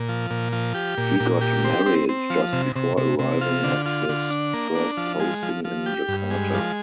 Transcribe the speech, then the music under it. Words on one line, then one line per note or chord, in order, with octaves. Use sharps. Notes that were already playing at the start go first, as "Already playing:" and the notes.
He got married just before arriving at his first posting in Jakarta.
Already playing: A#2
F3
A#2
F3
G4
A#2
A#2
G4
C4
C4
C4
F3
C3
C3
C3
C3
F4
D3
F4
D3
D4
A#3
D4
F3
G#3
F3
F3
G4
G2
G#3
F3